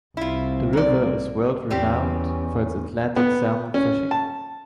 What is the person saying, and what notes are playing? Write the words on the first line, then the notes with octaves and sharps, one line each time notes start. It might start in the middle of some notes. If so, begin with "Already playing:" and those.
The river is world-renowned for its Atlantic salmon fishing.
C2 C4 E4 F4
A#3 D5
E2 G3 C4 C#4 G4
B3
C#4
A5